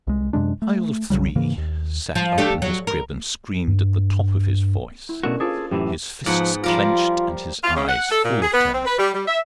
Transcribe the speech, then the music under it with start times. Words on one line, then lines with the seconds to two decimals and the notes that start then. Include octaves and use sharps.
A CHILD of three sat up in his crib and screamed at the top of his voice, his fists clinched and his eyes full of terror.
0.07 C2 G#3
0.33 F#2 C3 G#3 D4
0.62 A3
1.10 B1 C#3 F#3 G3
1.36 G#2 C#3 E3 A#3
1.58 D#2
2.15 F3
2.38 A3 D4 G4
2.62 F#3
2.87 A#4
3.68 G2
5.09 E4
5.23 B2 A3 C#4 D4 F#4 A#4
5.40 F4 G#4 A4 C5 D6
5.71 F#2 A2 E3 G4
6.26 G#2 F3 B3 F#5
6.64 F3 G3 F4 A#4
7.63 F4
7.75 C#3
7.89 F#5
8.10 A4
8.24 A#2
8.42 G#4
8.53 B3
8.74 C4
8.85 B4
8.98 G3
9.14 G3
9.27 E5